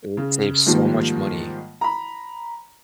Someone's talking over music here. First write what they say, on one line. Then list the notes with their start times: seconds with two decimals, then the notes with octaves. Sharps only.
It would save so much money.
0.17 C#3
0.66 G#2 D#3 F3 G3 A#3
1.81 A#5 B5